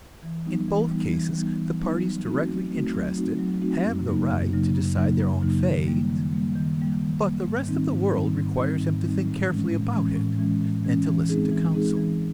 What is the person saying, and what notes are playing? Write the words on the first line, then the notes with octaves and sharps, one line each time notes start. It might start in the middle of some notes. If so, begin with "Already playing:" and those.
In both cases, the parties directly interested have the right to decide their own fate, but the rest of the world requires them to think carefully about it, and to listen to counsel.
E3
G3 B3 D#4
E3
G3 B3 D#4
E3
G3 B3 D#4
E3
G3 B3 D#4
F#3
A3 C4 D#4 F#4
F#3
A3 C4 D#4 F#4
F#3
A3 C4 D#4 F#4
F#3
A3 C4 D#4 F#4
F#2
C#3 F#3 A#3 D#4
F#2
C#3 F#3 A#3 D#4
F#2
C#3 F#3 A#3 D#4
F#2
C#3 F#3 A#3 D#4
D#3
G3 A#3
D#3
G3 A#3
D#3
G3 A#3
D#3
G3 A#3
G#2
D#3 G3 C4 D#4
G#2
D#3 G3 C4 D#4
G#2
D#3 G3 C4 D#4
G#2
D#3 G3 C4 D#4
A2
E3 G#3 C#4
A2
E3 G#3 C#4
A2
E3 G#3 C#4
A2
E3 G#3 C#4
E3
G#3 C4 D#4 G#4
E3
G#3 C4 D#4 G#4
E3